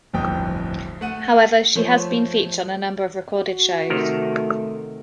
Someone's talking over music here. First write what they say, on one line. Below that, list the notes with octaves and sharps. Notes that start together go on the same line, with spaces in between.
However, she has been featured on a number of recorded shows.
D1 G1 F2 G5 D#6
A3 F#5 D#7
F3 A3 C5 C#5
F#4
C3 D#3 A3 A#4